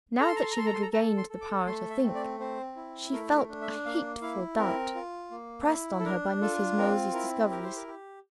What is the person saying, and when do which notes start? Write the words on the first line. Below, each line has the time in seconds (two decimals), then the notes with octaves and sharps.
Now that she had regained the power to think, she felt a hateful doubt pressed on her by Mrs. Mosey's disclosures.
0.20 A4 A#5
0.28 C6
0.36 A#5
0.43 C6
0.51 A#5
0.56 A4 C6
0.66 A#5
0.74 C6
0.82 A#5
0.93 A4 A#5
1.17 C6
1.30 A4
1.41 D6
1.67 A3 C6
1.90 E5
2.03 C4
2.15 D5
2.40 C4 C5
2.76 E4
3.12 A3 A#4
3.37 A#4
3.49 D4
3.61 E5
3.86 A#3 F5
4.22 E4 F5
4.58 C4 A#4
4.95 F4
5.31 A#3
5.69 E4
6.00 A4
6.04 D4 A#4
6.41 F4 A4
6.78 C4 A#4
7.13 E4 A#4
7.50 G4 A#4
7.63 C5
7.76 A#4
7.87 G4